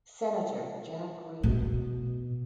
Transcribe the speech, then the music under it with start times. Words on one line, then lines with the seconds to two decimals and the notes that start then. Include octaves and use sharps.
Senator Jack Reed.
1.43 B2